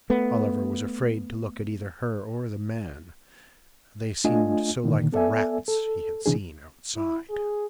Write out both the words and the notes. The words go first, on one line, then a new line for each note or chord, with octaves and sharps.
Oliver was afraid to look at either her or the man. They seemed so like the rats he had seen outside.
A3 B3
A3 D4 F4 D#5 G#5
A#2 D3 D#3 A#3
B3 A4 D5 E5 G#5
A4
C3 E3 D4 G#4
E4
G#4